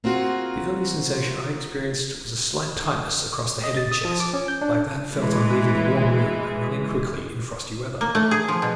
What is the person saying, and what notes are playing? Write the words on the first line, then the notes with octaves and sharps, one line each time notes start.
The only sensation I experienced was a slight tightness across the head and chest, like that felt on leaving a warm room and running quickly in frosty weather.
A#3 C4 F4 F#4 G#4
D#5
A6
D#6
F3
D6
C#4
G6
D4
E3 G#3
A#3
A3
G#4
F3
B2